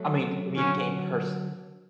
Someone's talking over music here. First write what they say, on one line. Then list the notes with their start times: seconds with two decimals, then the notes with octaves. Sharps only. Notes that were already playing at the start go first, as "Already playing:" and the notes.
I mean, communicate in person
Already playing: F#3 A3
0.57 D3 F#3 C#4